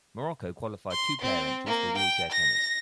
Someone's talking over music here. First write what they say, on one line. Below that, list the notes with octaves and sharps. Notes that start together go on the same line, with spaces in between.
Morocco qualified two player entries for wheelchair tennis.
C6
C4
A#3
G5
A#6